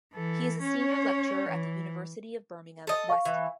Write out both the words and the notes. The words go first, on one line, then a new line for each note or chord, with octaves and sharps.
He is a Senior Lecturer at the University of Birmingham, Westhill.
E3 A4
C#4 C#5
E3
A4 D#5
F5 C#6
E3